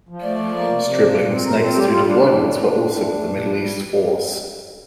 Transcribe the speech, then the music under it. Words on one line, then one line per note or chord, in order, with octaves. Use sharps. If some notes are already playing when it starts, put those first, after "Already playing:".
"Stribling"'s next two deployments were also with the Middle East Force.
F3
A3 D5
F3
A#3
C3
C3
F3
A#2
C4
A#2 A#4
C4 A4
G3 G4
G3 F4
G3 D4
A2
A3
A2
D#4
A2 D4
A2
A3
A3
A#2
F3
G3